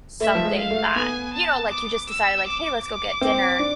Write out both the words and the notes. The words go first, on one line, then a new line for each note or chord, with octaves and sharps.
something that, you know, like, you just decided, like, "Hey, let's go get dinner
A3 E5
F3
G#3
F5
A3
B3 G#5
A5
D6
E6
D6
D6
C4
D4